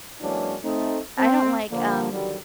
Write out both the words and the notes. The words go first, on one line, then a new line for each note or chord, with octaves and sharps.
I don't like, um,
E3 F#3 G#3 A#3 C#4 D4
A3 C4 D#4
C4
D3 F3 A#3
D3 D#3 F#3 G3